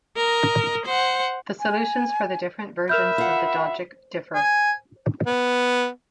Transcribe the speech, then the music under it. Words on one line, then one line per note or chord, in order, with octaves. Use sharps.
The solutions for the different versions of the Dogic differ.
A#4 D#5
C5 F#5
G#5
A#4 E5 B5 F6 G6
F4 F#5
G#5
B3